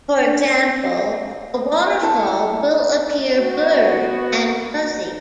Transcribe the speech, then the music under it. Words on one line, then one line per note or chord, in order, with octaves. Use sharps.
For example, a waterfall will appear blurred and fuzzy.
D4
E4 A4
B3 F#4